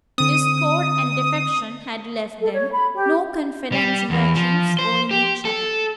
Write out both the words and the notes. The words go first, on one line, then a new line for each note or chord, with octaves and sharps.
Discord and defection had left them no confidence in their chiefs or in each other.
D3 C4 D#6
A4
C#5
B5
G4
G3
E2
F3
C5
G4
A4